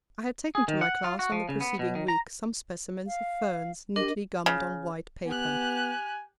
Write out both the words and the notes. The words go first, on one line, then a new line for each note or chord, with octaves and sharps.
I had taken to my class on the preceding week some specimens of ferns neatly gummed on white paper. . . .
G#4
D#3
F#5
F4
F#4
F3
C#3
B3
B2
D#3
A#5
F5
D4 G4 A#4 D#5
C#3
B3 G4 G#5 F#6